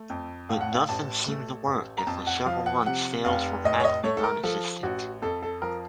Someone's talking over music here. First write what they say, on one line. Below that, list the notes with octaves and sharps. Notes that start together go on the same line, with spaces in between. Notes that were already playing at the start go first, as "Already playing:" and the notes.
But nothing seemed to work, and for several months sales were practically non-existent.
Already playing: A3
F2
A2 F5
F#5
F5
A1 A5
A3
A1
A#5
F2 A5
F#5
F3 F5
F#5
C3 F#5
F1 F5
A2 D#5
C#5
D#5
A3 C#5
A4
A#4
F3 A4
A1 F#4
F2 A4
A4
F3 A#4